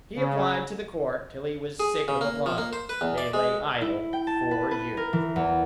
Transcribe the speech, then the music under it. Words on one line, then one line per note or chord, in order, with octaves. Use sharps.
He applied to the Court till he was sick of applying: they lay idle four years.
C#3
G#4
C#3
A#3
F3
A#3
C5
B4
E2
D5
G#3
E4
G5
A5
B4
B4
A#4
E3
E2